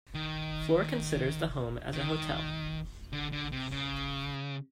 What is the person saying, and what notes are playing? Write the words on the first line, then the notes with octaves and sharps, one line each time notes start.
Flore considers the home as a hotel.
D#3
D#3
D3
D3
C3
C#3